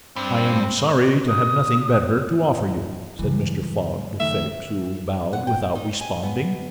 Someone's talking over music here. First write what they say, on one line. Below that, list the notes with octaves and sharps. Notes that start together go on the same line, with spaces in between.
"I am sorry to have nothing better to offer you," said Mr. Fogg to Fix, who bowed without responding.
G2 C4
D#6
G2 C#3 E3 F#3
D#3 A3 E5
F#5
G5
D#4
G#5
B3